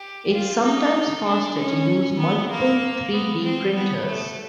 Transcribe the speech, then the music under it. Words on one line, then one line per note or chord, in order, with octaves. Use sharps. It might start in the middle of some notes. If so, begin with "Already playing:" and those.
It's sometimes faster to use multiple three-d printers.
Already playing: G4
F4
D#4
D4
C#4
B3
A#3
B3
C4
B3
A3